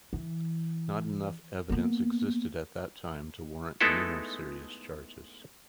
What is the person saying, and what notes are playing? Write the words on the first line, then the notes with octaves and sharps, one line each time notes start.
Not enough evidence existed at that time to warrant any more serious charges.
E3
A#3 B3
G#3 A3 B3 D#4 E4 A4